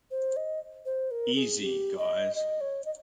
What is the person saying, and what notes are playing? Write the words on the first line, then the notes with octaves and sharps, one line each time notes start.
Easy guys.
C5
D#5
C5
A#4
G#4
G4
D#5
D#5
C#5
D#5